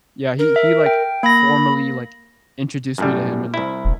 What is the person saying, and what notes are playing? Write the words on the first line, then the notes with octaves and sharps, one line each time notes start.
yeah, he he, like, formally, like, introduced me to him and, like,
A#4
E5
G5
A#3 B5 A#6
F#2 A2 G3
C2 E4
E1